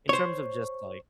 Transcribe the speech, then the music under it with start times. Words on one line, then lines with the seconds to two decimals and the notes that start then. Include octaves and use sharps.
in terms of just like
0.09 C5 C#5